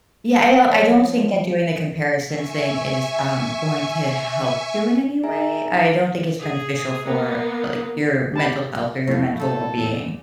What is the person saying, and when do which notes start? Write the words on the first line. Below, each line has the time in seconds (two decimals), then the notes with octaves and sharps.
Yeah, I do I don't think that doing the comparison thing is, um, going to help you in any way? I don't think it's beneficial for, like, your mental health or your mental well-being.
0.73 F3 C#5
2.28 E5 G#5 C#6
5.23 D#4 G#4 E5 G#5 A#5
6.39 G#4
7.05 A#3 B3
8.34 G4 A5 B5
8.75 F4
9.07 F2 F3 A3 E4 F5
9.39 C4 D#4 A4
9.77 E2